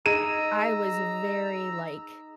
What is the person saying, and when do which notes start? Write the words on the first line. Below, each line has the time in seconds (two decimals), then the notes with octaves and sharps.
I was very, like,
0.06 D#4 G#4 A#5 E6 D#7